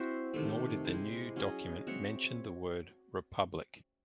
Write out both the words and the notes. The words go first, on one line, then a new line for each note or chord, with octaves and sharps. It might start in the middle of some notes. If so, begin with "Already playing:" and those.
Nor did the new document mention the word "republic".
Already playing: C4 E4 F#4 C5 E5
C3 D#3 A3 C4
G#3 C4 E4 C5
F#3 C#4 G#4 D#5
C4 F#4 C#5 E5